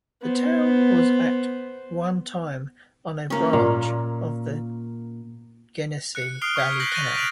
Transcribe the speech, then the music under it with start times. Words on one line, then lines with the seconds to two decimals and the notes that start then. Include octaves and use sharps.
The town was at one time on a branch of the Genesee Valley Canal.
0.22 B3 C5
3.30 A#3 C#4
3.53 A#2
6.15 F#6 C#7
6.41 D#6 F6 C7 D7 F7 G7
6.56 C#6 F6 G#6 B6
6.79 C#6 G6 A#6 B6 F#7
6.92 F#6 G6 A6 A#6 D#7 F7
7.15 B6 D7 F7 F#7